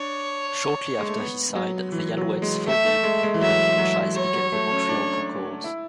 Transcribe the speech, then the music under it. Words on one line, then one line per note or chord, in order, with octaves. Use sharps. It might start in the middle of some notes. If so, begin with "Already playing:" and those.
Shortly after he signed the Alouettes folded and the franchise became the Montreal Concordes.
Already playing: D4 C#5
G#3
A3
B3
F#3
E3
F#3
G#3
A3 E5
A3
G#3
G#3
E3
F#3 E5
F#3
F#3 C#5
F#3
A3
C#4
D4
E4